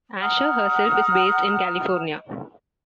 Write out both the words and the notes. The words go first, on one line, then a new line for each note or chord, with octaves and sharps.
Asher herself is based in California.
F#5 A#5 D#6 F6